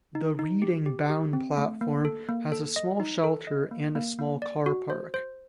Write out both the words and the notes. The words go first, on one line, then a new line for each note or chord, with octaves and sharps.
The Reading bound platform has a small shelter and a small car park.
D#4
D#4
G4
G4
G4
C4
A3
A#3
A4
A#3
A4
D#5
D#4
A4
D#5
A#3
A#3
A#3
D5
F#4
C5
C5